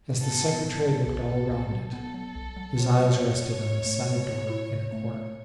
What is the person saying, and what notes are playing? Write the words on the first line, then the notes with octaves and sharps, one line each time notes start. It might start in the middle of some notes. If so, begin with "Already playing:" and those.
As the Secretary looked all round it, his eyes rested on a side door in a corner.
B3 A4
B3
A2 A4
F#3
B1 A4
A2
B1
F#3
B3 A4
F#3
B1
F#3
B3 C#5
F#3
A2
F#3
A2
A3
A2
A2
E4
A2
A3
A3